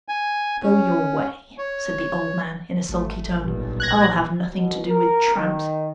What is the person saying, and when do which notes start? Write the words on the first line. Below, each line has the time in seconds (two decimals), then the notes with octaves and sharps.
'Go your way,' said the old man in a sulky tone, 'I'll have nothing to do with tramps.
0.08 G#5
0.62 C#4
1.58 C#5
2.89 G#1 A3
3.38 B1 G2 A#2
3.80 F#6 G#6 A#6
4.51 B2
4.87 A#4
5.36 D#3